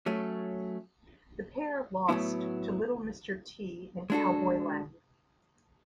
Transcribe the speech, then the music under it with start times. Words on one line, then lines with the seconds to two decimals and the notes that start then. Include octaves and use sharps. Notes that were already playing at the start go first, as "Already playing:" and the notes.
The pair lost to Little Mr. T and Cowboy Lang.
0.06 F#3 A3 C#4
2.09 A2 F#3 B3 E4
4.10 G#3 D4 F#4 A4